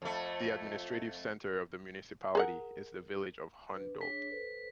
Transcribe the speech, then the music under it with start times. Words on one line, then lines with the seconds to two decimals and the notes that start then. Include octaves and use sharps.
The administrative centre of the municipality is the village of Hundorp.
0.02 F2 A3
2.35 G#4 A#4 F#5
3.74 D4 B4
4.01 D4 G#4 C#5 B6
4.30 A4 B4 C5